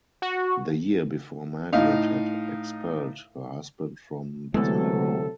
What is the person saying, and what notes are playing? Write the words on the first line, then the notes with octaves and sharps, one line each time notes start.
The year before Margaret had expelled her husband from Tyrol.
F#4
A2 D#4 F5
D2 C3 E3 F#3 G#3 A3 B3 A4